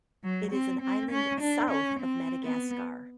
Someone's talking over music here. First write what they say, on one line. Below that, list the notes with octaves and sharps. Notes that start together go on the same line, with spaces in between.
It is an island south of Madagascar.
F#3
C4
C4
C#4
D4
C#4
C4
B3